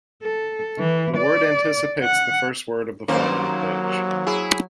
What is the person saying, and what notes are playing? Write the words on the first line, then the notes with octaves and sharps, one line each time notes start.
The word anticipates the first word of the following page.
A4
E3
D5
F#5
D#2 F#3 A#3 C#4 C5
E4 G#4